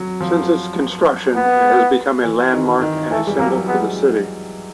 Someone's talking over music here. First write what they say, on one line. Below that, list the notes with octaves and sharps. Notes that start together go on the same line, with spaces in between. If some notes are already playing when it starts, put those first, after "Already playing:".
Since its construction, it has become a landmark and a symbol for the city.
Already playing: F#3
F3
B3
E3
D#3
D#3
E3 A3
G3
F#3 A#3
G#3 B3